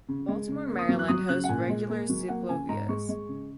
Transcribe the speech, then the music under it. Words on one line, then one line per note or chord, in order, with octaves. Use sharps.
Baltimore, Maryland hosts regular Ciclovias.
C#3
G#3
C#3
A#3
D#6
F#3
F#6
F#3 D#6
C#3 F#6
F#5
A#2 G#5
G#3
A#3
F#3
A#3 F#5
C#3 G#5
G#2 A#5
G#3 C#6
G#3
C#3